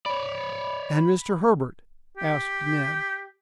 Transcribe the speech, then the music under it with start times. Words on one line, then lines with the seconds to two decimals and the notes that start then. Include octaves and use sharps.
"And Mr. Herbert?" asked Neb.
0.06 C#5 D5 B5
2.17 G4